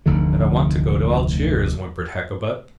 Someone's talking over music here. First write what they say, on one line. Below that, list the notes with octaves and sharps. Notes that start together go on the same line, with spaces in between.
"But I want to go to Algiers," whimpered Hakkabut.
F1 D2 D3 D#3